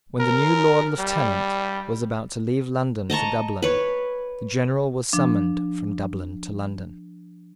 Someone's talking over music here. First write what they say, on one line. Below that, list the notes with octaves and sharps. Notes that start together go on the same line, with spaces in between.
When the new Lord Lieutenant was about to leave London for Dublin, the General was summoned from Dublin to London.
A#4
G3
D#5 A5 A#5 C#6
B4 C#5
F3 D4